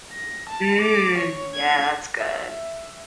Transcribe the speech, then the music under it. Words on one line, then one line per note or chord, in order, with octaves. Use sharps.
Mm. Yeah, that's good.
A#6
A5
D6
C#5
G#6
E5